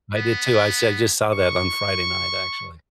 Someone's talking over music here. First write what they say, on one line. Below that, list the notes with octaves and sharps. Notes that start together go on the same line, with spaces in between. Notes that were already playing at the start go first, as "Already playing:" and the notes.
I did, too, I said I, just, saw that on Friday night, actually.
B3
C#6